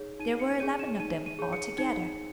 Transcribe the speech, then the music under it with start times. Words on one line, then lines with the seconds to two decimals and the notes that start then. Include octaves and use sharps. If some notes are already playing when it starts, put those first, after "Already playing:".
There were eleven of them altogether.
Already playing: D#4 G#4 C#5
0.20 D#4 D#7
0.39 C#7
0.60 G#4 C#5 D#7
0.79 E7
1.00 D#4 D#7
1.26 D#7
1.39 G#4 C#5
1.53 C#7
1.78 D#4 C#7